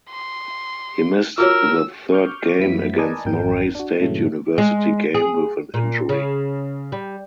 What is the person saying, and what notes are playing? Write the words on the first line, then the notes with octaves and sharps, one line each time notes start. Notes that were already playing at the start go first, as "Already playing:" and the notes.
He missed the third game against Murray State University game with an injury.
C6
F4 F#4 A#4 C#5 E6
C#6 D6 F6 G6
F#2 F3 F#3 B3 E4 B6
A#4 B4 D5 D#5 G#5 A5
G#1 F2 A#4 G5
D4 F#4
G2 A#2 C#3 E3 F#3 A3
G#3
G#4
A#2
C#3
G3